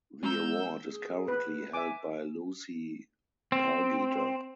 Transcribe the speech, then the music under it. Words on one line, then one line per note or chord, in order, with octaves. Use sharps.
The award is currently held by Lucy Pargeter.
G#3 A#5 E6 G6
G#4
B4
E5 G#5 D6
C4